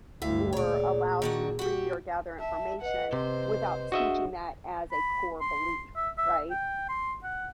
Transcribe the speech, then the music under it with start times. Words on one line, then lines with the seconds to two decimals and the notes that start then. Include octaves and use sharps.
or allow to read or gather information without teaching that as a core belief right?
0.22 D2 G2 E4 E5 F5
0.53 A#2 G#4 C#5 D5
1.22 D#3 D4 F#4
1.59 F#4 G4
2.40 E5 A5
2.82 B4 D#5 F#5
3.13 C3 C5
3.92 D4 F#4 G#4 D#5 E5 F#5
4.92 B5
5.41 C6
5.96 E5
6.18 E5
6.51 G5
6.89 C6
7.24 F#5